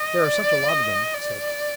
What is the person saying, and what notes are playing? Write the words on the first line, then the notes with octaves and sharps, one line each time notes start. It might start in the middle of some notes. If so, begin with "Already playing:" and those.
"There are such a lot of them," he said.
Already playing: D#5
D5
D#5
D5